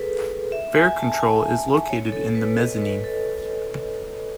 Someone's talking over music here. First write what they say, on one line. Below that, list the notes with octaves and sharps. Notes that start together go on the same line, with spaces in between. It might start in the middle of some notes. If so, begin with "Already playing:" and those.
Fare control is located in the mezzanine.
Already playing: G#4 A4 B4
E5
G#5
A5
G#5
C#5
A4
B4
D#5
B4
A4